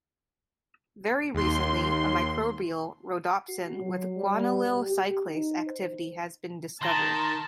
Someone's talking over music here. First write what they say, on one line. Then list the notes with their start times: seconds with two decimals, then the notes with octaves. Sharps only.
Very recently, a microbial rhodopsin with guanylyl cyclase activity has been discovered.
1.34 D#2 C6
3.49 F#4
3.81 F#3
4.17 G3
4.63 G4
4.91 G4
5.27 D#4
5.67 C5
6.82 D#3 A5 A#5 C6